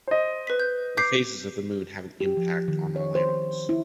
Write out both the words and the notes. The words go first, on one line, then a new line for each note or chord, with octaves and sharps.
The phases of the moon have an impact on all animals.
C5 D#5
B4 B6
G6
D6 G6 B6 C7
G4
F3
D#3
C#5
C5
E4